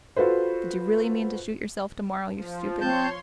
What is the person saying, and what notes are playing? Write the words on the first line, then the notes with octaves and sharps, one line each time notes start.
Did you really mean to shoot yourself to-morrow, you stupid?
F4 F#4 A4 B4 C5
F3
C4 C#5 A5 C6 G6